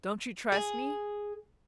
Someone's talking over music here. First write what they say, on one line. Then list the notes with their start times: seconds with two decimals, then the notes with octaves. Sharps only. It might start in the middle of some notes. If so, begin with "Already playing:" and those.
Don't you trust me?
0.52 G#4